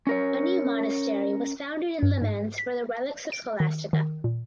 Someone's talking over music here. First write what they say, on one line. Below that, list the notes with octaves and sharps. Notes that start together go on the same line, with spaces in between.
A new monastery was founded in Le Mans for the relics of Scholastica.
C#4 A#4 C#5
G2
G#2
B6
D7
D#3
D#3
A#2